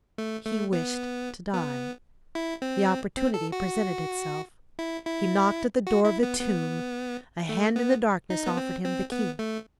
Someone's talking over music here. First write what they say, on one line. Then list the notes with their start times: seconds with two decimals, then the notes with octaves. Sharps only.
He wished to die; the opportunity presented itself; he knocked at the door of the tomb, a hand in the darkness offered him the key.
0.18 A3
0.45 A3
0.73 B3
1.54 B3
2.35 E4
2.62 C4
3.16 C4
3.34 A4
3.52 F#4
4.79 E4
5.06 E4
5.87 F#4
6.05 E4
6.23 B3
6.41 B3
7.49 A3
7.76 B3
8.30 D#4
8.46 B3
8.57 C4
8.85 C4
9.12 B3
9.39 A3